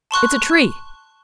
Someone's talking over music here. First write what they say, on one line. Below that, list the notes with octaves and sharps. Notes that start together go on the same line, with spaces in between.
"It's a tree."
A5 C6 C#6 F#6